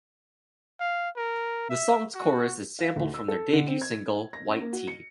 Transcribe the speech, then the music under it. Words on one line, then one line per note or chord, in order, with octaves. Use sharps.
The song's chorus is sampled from their debut single "White Tee".
F5
A#4
E5
F#4
F5
D2
E6
A4
D3
C4
G#6
A#6
C#4
A#3
F#4
C#7